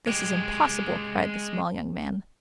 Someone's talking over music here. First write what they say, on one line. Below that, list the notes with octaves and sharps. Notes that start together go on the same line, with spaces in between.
"This is impossible!" cried the small young man.
G#3 G4